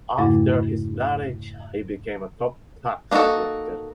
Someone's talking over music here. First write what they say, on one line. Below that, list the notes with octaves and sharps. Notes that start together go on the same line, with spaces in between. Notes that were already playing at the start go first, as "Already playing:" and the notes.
After his marriage, he became a top tax collector.
F2 G#2 C#3 A3 E4
A#3 D4 D#4 F#4 A4